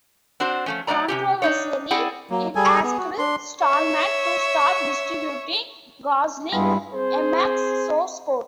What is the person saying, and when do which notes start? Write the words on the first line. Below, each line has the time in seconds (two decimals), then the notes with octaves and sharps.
Controversially, it asked Stallman to stop distributing Gosling Emacs source code.
0.40 C4 D4 F#4 C5
0.66 F3 A3 C#4
0.87 F#3 A3 D4 D5 A#5
1.08 C3 C#4 G4
1.42 D4 D#4 C#5
1.91 C4 E4 G#4 D5 F#5
2.30 F#3 A#3
2.56 G3 G#4 A4 G#5
2.83 B3 G#4
2.98 F#4
3.18 D4 C6
3.60 C#5 E5
6.52 G2 G3 G#3 B3 E4 F4
6.93 C4 G#4 C5